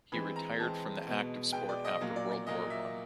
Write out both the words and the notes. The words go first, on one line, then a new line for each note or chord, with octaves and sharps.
He retired from active sport after World War One.
E3 G#3 C4 B5
A#5
E3 G#3 C4 A5
B2 G#3 B3
B2 G#3 B3 G5
D5
D#5
A#2 F#3 A#3
D5
D5
A#2 F#3 A#3 D#5
E5